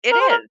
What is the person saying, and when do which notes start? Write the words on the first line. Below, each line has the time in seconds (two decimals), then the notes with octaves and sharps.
It is.
0.11 A#4
0.20 C5
0.30 A#4